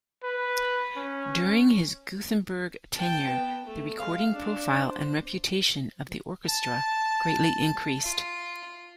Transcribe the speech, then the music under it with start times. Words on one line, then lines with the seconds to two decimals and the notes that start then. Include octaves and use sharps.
During his Gothenburg tenure, the recording profile and reputation of the orchestra greatly increased.
0.23 B4
0.97 C#4
2.95 G5 A5
3.29 B3
3.66 A3
3.99 G#3 F5
4.32 D4
4.78 C5
6.45 A5
8.04 F4